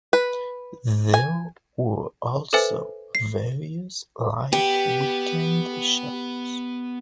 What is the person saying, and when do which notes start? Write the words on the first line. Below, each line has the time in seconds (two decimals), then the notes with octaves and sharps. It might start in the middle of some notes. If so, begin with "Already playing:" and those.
There were also various live weekend shows.
0.13 B4
1.14 G#5
2.53 A4 B4 C5 E5 G#5
3.15 C7
4.53 B3 G4